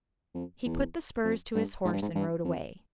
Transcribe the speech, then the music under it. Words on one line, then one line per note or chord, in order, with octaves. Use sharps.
He put the spurs to his horse and rode away.
F2
E2
F2
G2
G#2
G2
G#2
G2
F2